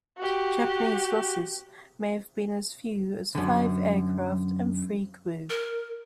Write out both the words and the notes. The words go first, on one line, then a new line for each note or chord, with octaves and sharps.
Japanese losses may have been as few as five aircraft and three crew.
F#4 G4
F#2 D3
A#4